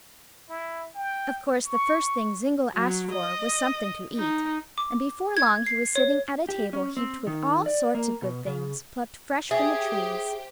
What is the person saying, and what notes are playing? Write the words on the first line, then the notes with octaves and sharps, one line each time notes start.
Of course the first thing Zingle asked for was something to eat, and before long he was sitting at a table heaped with all sorts of good things, plucked fresh from the trees.
E4
G5
C#6
F#3
D#5
D#4
D6
G#6
C7
C#5
G4
C#4
C4
D#3
D5
A#3
B2
C#3
G4 G#4 C5 E5 G5